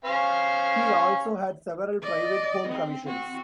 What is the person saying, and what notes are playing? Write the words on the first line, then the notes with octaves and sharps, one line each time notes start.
He also had several private home commissions.
C#4 C5 F5
D5 D#5
C4
C4 F#4